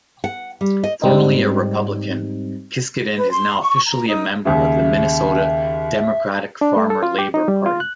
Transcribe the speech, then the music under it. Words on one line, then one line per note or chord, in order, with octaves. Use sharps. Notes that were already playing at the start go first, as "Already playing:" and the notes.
Formerly a Republican, Kiscaden is now officially a member of the Minnesota Democratic-Farmer-Labor Party.
F#5
G3
D#5
G#2 G3 C4 D#4
B4
C6
C#6
A#5
D#4
D#2 C#3 E5
D4
A3
A4
F4
G4
D#4
G3
F4
F#6